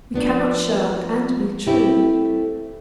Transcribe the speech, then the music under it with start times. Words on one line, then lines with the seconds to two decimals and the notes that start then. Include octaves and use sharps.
We cannot shirk and be true.
0.14 F3 B3 D4
1.67 A3 C4 E4 G4